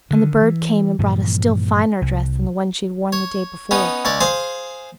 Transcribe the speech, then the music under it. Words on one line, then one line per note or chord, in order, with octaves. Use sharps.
And the bird came and brought a still finer dress than the one she had worn the day before.
D3 D#3
E3
G2 A#2 E3 F3
C2
C#5
B3 C#4 D#4
C#2 C#5 D5
G#4 C5 F5